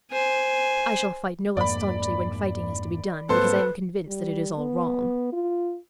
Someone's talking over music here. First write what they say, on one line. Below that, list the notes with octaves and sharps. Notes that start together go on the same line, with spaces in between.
I shall fight no less staunchly, when fighting has to be done, because I am convinced that it is all wrong.
C5 G#5
F2 G#2 A#3 D5 B5
G#2 A#3 C4 A4 B4 C5 C6
G3
B3
F4